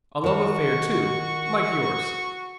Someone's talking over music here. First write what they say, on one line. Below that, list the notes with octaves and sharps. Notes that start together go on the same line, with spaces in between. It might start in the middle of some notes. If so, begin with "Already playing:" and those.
A love affair too--like yours.
D#3 F#4 A5 C#6